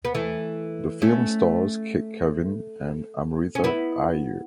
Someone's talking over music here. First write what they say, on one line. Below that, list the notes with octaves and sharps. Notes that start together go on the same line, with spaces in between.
The film stars Kavin and Amritha Aiyer.
B3
E3 A3
A3 C#4
C#4
B3 E4